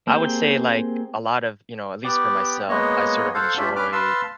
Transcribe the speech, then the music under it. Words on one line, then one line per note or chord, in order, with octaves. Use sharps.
I would say, like, a lot of you know, at least for myself, I sort of enjoy
A#3 C4 G4 G#4 G5
B3 G4 D5 G5
G#3 A#3 B3 C#5 D#5
A4 C5 F5 F#5
C#4 D4 F4 G4 D5 E5
C#4 B4 D6 F6
B4 F5 A5 C6 E6